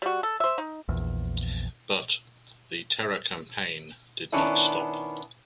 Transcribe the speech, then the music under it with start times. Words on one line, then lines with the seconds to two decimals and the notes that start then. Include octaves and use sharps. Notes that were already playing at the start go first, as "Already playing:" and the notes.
But, the terror campaign did not stop.
0.02 G3 F#4
0.23 A4
0.40 C5 E5
0.58 D#4
0.88 A#1 E2
4.32 D#3 B3 C#4 D4 E4